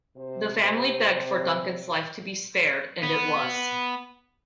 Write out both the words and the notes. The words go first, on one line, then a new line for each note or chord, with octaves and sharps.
The family begged for Duncan's life to be spared and it was.
C3 C5
B3